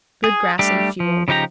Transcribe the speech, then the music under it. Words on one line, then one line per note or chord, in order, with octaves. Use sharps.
Good grass and fuel.
G#4
G3 A3 D4 G4
F3
C#3 F3 D#4 G4 A#5